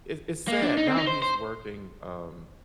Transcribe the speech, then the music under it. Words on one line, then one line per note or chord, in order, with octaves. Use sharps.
I it's sad! Now he's working, um,
A#3
D4
D#4
C4
D#4
C5
C5